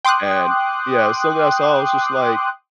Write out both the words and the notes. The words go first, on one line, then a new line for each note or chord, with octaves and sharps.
and Yeah, something I saw, I was just like,
G5 C6 D6 D#6 F#6